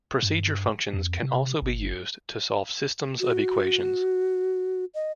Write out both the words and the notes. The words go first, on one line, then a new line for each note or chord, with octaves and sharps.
Procedure functions can also be used to solve systems of equations.
G2
F2
C3
G1
F#4
D#5